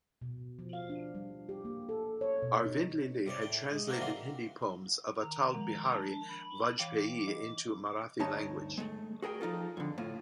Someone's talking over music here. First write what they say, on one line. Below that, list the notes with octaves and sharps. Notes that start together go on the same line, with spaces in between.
Arvind Lele had translated Hindi poems of Atal Bihari Vajpayee into Marathi language.
B2
F3
F5
D4
G3
G4
A#3
A4
C#5
B2
D#4
C3 G3 C#5 D5
A2 G5
G#3
A3 C4 D4 F#4 A#4
C3 E3 G3 A#3 F#4 C6
D#3 A#5
F3 G#3 A#4
D4
B5
E3 F5 G5 D6
D#5
D2 G2 D#4 C#5 A5
G#3 A3
F#4 G#4 A#4 G5
F3 D#4 F4 A4
F2 D3
A2 F4